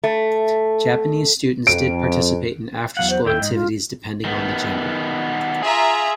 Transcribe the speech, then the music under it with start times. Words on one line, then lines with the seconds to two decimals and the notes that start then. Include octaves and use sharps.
Japanese students did participate in after-school activities depending on the gender.
0.04 A3
1.67 F2 D7
2.97 E2 F#3 F5 F#5
3.10 C5
3.25 D#2 E4 A4 G5
3.41 G#2 D#5
3.54 F4
4.24 D#3 B3
5.63 F4 G#4 E5 A#5